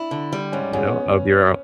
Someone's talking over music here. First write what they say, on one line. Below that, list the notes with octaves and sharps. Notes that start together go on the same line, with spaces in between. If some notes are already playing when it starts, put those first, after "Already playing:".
you know, of your, uh
Already playing: D4 E4
D3
G3
G#2 C#4
G#2 C#4
B3